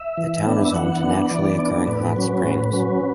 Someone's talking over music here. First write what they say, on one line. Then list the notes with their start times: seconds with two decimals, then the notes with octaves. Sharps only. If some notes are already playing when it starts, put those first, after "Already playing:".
The town is home to naturally occurring hot springs.
Already playing: E5
0.17 E3
0.46 B3 D4
0.65 E5
0.74 E3 F#5
1.03 B3 D4
1.31 E3 D5
1.59 B3 D4
1.87 A2 B4
2.16 F#3 C#4
2.43 A2
2.73 F#3 C#4